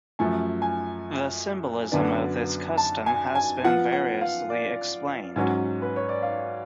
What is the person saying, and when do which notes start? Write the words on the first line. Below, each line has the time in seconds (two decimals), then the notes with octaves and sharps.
The symbolism of this custom has been variously explained.
0.19 F#2 F3 A3 G#5
0.62 G#5
1.92 F#2 D3 F#3 B3 D4
2.77 A5
3.06 G#5
3.35 G#5
3.64 F3 B3 F4 F#5
3.92 F#5
4.21 F5
4.50 D5
5.36 G#2 F#3 C#4 F#4
5.82 B4
5.96 C#5
6.09 D5
6.23 F5